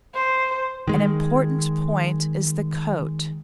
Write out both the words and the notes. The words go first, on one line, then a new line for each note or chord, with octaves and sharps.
An important point is the coat.
C5
D#3 G#3